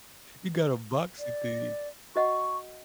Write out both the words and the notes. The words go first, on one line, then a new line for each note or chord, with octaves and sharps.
You got a boxy thing.
D5
F#4 D#5 F#5 C#6